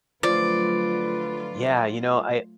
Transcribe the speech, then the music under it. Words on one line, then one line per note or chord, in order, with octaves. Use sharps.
Yeah, you know, I
D3 F3 F#3 A3 F4 B4 D5